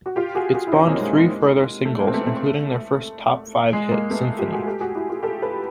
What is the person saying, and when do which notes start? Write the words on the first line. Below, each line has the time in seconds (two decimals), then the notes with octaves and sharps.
It spawned three further singles, including their first top five hit "Symphonie".
0.06 F#4
0.16 F4 G4
0.35 F#4 G#4
0.54 F#4 G#4
0.67 E4
0.72 C#4 D#4
0.87 A#3 C4
1.01 G#3 A#3
1.14 G#3 A#3
1.85 A3
1.99 G#3 A#3
2.07 C4
2.14 A3 B3
2.27 A3
3.73 G#3
3.91 G#3 A#3
4.10 A3 B3
4.39 F4 G4
4.52 F#4 G#4
4.67 G4 A4
4.80 F#4 G#4
4.95 E4 F#4
5.09 F4 G4
5.23 G4 A4
5.42 A4 B4